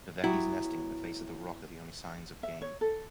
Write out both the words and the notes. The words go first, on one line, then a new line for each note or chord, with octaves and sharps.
Dovekies nesting in the face of the rock are the only signs of game.
F#3 B3 E4 G4
E5
C#5
A4